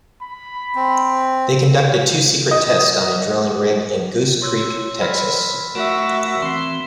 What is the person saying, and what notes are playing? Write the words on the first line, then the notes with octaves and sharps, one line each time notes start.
They conducted two secret tests on a drilling rig in Goose Creek, Texas.
B5
C4
D#5
C#5 C6 E6
B5 F6 B6
A3 F#4 A#4 E5 D7
E3 C4 C6 C7